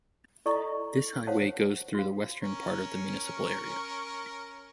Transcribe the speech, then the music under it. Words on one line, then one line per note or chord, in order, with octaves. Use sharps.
This highway goes through the western part of the municipal area.
E4 A4 D5 D#5 A#5 C#6
C5 C#5 F5 F#5 A5
F#4 F5
C#4 A#4 C#6